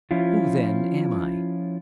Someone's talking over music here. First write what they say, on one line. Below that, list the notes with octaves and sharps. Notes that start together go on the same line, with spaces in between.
"Who, then, am I?"
F3 C#4 E4 F4